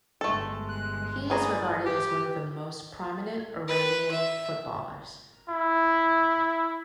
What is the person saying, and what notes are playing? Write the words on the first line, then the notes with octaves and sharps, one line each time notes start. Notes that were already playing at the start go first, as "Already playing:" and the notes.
He is regarded as one of the most prominent Iranian footballers.
G1 G#3 A3 A4
F#6
E3 G#4 D5 A#5
G4 B4
B4
E5
E4